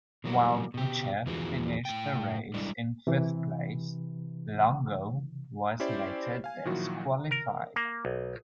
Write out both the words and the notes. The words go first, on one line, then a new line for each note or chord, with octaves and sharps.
While Bucher finished the race in fifth place, Longo was later disqualified.
B2 E3 F#3 G3 A#3
B2 G4
E2 E3 F3 C4 F#4 G#4
A2 G5
G3 G#3 D4 E4 D5 D#5
C3 E3
C#4 E4 G4 C5 D5
F5 G#5
A#2 D#3 F3 F#3 E4 F#4
A#4
A#3
B1